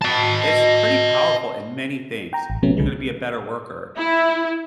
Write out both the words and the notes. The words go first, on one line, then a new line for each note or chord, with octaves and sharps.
it's pretty powerful in many things. You're gonna be a better worker,
D#5 A5
G5 A#5
A1
C3 F#3 A3 B3 C#4
C2 D3 G#3
E4